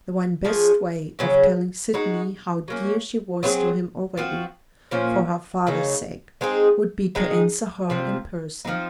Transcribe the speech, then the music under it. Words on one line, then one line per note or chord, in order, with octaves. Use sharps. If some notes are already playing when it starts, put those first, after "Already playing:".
The one best way of telling Sydney how dear she was to him already, for her father's sake, would be to answer her in person.
F3 G#3 C#4 G#4
C#3 F#3 C#4
G#3 D#4 F#4
F#3 A#3 C#4
F#3 C4 F4 G#4
F3 C4 F#4
A#2 F3 A#3 C#4
C#3 F#3 A#3 D#4
G#3 C4 D#4 G#4
D#3 G#3 D#4 G#4
C3 F3 C4
F3 G#3 C4 D#4